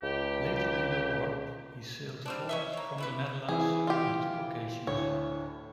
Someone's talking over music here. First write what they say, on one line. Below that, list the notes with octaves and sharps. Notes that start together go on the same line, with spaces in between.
Later in the war, he sallied forth from the Netherlands on two occasions.
C#2 G4
G3 C4 D4
C#4 D#5 E5
A#3 C#5
G3 E4 B4
E3 C4 E4 G#4
F4 G4
D2 A2 C#5